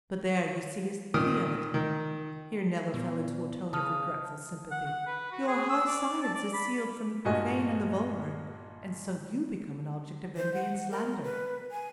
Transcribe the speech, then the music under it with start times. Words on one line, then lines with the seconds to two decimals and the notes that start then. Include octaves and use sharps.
But there, you see, is the pity of it,"--here Nello fell into a tone of regretful sympathy--"your high science is sealed from the profane and the vulgar, and so you become an object of envy and slander.
1.14 A#2 D#3 D#6 F6
1.74 D#3
2.94 A#2 B3
3.73 C#3 A5 D#6 F6
4.71 F#5
4.86 F#5
5.07 B4
5.32 F#4
5.47 G#4
5.69 E6
5.87 D5
6.22 A5
6.34 D5
6.53 B5
7.25 G2 A#2 F#4 D#5 G#5
10.37 C5
10.54 F#5
10.91 A#4
11.23 B4
11.71 G#5